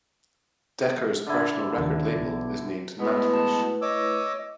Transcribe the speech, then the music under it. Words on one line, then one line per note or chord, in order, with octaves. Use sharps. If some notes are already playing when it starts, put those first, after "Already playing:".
Decker's personal record label is named GnatFish.
D3 E4
D#2 C#3
B1
B2 G#3 A3 B3 E4 B4
A5
C#5 D#5 D6 E6